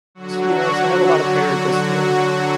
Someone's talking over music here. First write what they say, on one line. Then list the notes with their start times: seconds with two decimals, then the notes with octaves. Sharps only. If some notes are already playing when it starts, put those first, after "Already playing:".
s you know, so I have a lot of pair just, you know,
0.15 D3 F#3 F#4